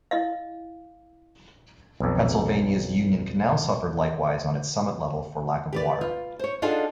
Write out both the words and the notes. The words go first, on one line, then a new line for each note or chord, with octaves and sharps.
Pennsylvania's Union Canal suffered likewise on its summit level for lack of water.
E4 D#5 F5
B1 F2
G4 B4 D5
F4
C5 C#5
D4 D#4 F4 G#4 A4 F#5